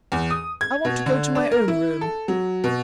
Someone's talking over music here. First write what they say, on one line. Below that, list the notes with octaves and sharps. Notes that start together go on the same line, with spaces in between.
"I want to go to my own room."
E2
D#6
G#6
B2
D3
D4
A#4
E4
A4
F#3
B2